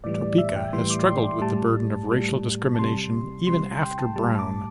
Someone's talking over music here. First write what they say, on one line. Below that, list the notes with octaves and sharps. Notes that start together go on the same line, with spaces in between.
Topeka has struggled with the burden of racial discrimination even after Brown.
A2 E3 G3 D5
D5
E5
G5
A2 E3 G3 C6
D6
C6
C6
A2 G3 A5
A2 G3
A5
C3 G3 C6
C3 G3 C6
G5
A5
A2 G3 A5
D6